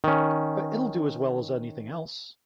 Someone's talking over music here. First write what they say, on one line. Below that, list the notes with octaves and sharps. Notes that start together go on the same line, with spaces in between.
But it'll do as well as anything else!
D#3 C#4